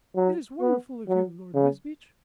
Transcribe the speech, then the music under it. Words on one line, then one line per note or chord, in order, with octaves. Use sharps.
"It is wonderful of you, Lord Wisbeach."
F#3
B3
F#3
C#3